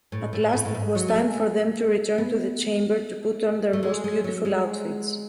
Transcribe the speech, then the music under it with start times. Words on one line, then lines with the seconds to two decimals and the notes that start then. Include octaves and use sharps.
At last it was time for them to return to the chamber to put on their most beautiful outfits.
0.12 A2
0.33 A2
0.53 A2
0.65 A2
0.75 G#2
0.95 F#3
1.08 A3
1.16 G#3
2.18 B3
3.73 A3
3.83 G#3
4.04 G#3
4.24 F#3
4.45 G#3